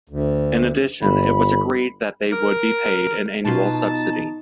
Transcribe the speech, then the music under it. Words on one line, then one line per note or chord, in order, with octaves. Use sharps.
In addition, it was agreed that they would be paid an annual subsidy.
D2
G1 B5
A#4
B2 D#4 F4 A5